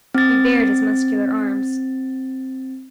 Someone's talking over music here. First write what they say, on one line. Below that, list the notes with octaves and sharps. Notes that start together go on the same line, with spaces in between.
He bared his muscular arms.
C4 A6